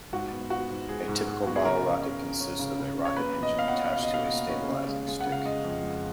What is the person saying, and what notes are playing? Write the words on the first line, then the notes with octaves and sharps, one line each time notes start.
A typical bottle rocket consists of a rocket engine attached to a stabilizing stick.
G#2 F#4
B3
B3 F#4
G#2
G#2 G#4
G#2
G#2
B3 F#4
G#4
C#3 A#4
C#3
C#4
C#4
C#4
C#3
C#3
C#4
C#5
A#3 B4
B2
D#5
B2 F5
F#5
C#4
B2 F5
D#5
B2 F5
A#3
C#4
C#3
G#3
G#3
F#5
C#3
F5
G#3 D#5
F2
G#3